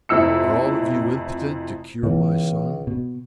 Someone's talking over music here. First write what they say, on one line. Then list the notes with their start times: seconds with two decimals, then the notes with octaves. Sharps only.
Are all of you impotent to cure my son?
0.09 F1 F2 E4 E6 C#7
2.03 C#2 B2 E3
2.87 B2